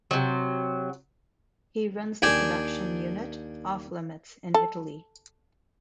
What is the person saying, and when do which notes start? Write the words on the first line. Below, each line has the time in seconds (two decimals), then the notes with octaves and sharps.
He runs the production unit Off Limits in Italy.
0.11 C3 F#3
2.22 D#2 D4 G5 G#5 D6
4.54 A4